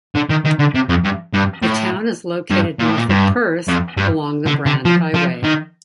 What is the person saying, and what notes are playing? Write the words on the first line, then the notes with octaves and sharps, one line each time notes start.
The town is located north of Perth along the Brand Highway.
D3
D#3
D#3
D3
C3
F2
G2
G2
A2
G2
A#2
A2
A#2
G2
F2
G2
D3
D3
F3
F3
D#3